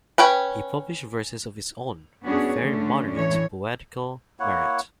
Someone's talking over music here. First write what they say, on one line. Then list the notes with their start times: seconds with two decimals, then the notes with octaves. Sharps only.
He published verses of his own of very moderate poetical merit.
0.18 C#4 B4 C#5 G5
2.24 B3 C#4 D4 F#4 G#4 C#5
2.61 D3 A3 C#4 D4
3.12 A2 E3 C#5
4.40 A#3 E4 C#5 F#5